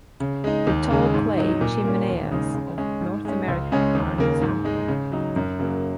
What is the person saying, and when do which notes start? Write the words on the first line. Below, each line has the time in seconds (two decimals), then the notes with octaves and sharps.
The tall clay "Chimeneas" of North America are an example.
0.20 C#3
0.44 G#3 D#4
0.67 D#2
0.91 C#3 G#3
1.14 G#2
1.37 F#3 D#4
1.61 A#2
1.84 A#3 C#4
2.08 D#2
2.31 C#3 G#3 D#4
2.55 C#3
2.78 G#3 C#4
3.01 G#2
3.25 G#3 C#4
3.48 C#2
3.72 C#3 G#3 C#4
3.95 D#2
4.18 C#3 A#3
4.41 G#2
4.65 G#3 D#4
4.88 C#3
5.12 F#3 D#4
5.36 F#2
5.59 C#3 F#3 A#3